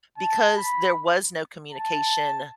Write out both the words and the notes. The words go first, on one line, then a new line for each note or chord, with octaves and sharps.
because there was no communication
A5
B5
A5